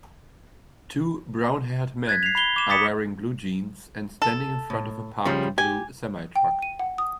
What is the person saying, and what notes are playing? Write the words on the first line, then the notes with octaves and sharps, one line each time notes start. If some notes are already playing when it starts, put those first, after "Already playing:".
Two brownhaired men are wearing blue jeans and standing in front of a parked blue semitruck.
F#6 G#6 A6 B6
C7 F7
B5 C7 F7 G7
D6 E7
D#6 A6 B6 C#7 E7
A4
A2
C#3 F3 G3
G4 G#5
G5
D#7
F#5
D#6